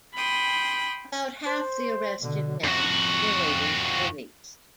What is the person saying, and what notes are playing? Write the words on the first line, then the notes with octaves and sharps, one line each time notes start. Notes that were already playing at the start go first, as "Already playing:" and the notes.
About half the arrested men were later released.
G5 B5 C6 D#6
C5
B2 D3
F2 F#4